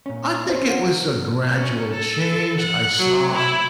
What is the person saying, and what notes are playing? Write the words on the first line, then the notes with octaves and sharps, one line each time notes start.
I think it was a gradual change, I saw,
A#2 C#4
C#4 C5
F5 F#5
C#4
A4
F#5
F#3
E4